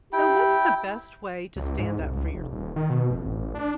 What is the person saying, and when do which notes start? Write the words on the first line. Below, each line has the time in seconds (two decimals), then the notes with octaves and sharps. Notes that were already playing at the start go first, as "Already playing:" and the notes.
So what's the best way to stand up for yours
0.13 E4 G4 G5
1.56 C#2
1.78 G#2
1.99 C2
2.16 C#2
2.34 F1
2.53 D#1
2.76 D#3
2.90 B2
3.11 F1
3.25 A1
3.55 D4